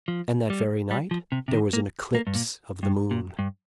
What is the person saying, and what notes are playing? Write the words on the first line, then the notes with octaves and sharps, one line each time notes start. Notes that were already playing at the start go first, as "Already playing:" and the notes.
And that very night there was an eclipse of the moon.
F3
G3
G3
F3
C3
C3
D#3
A#3
A#3
G2
A#2
G2
A#2
G2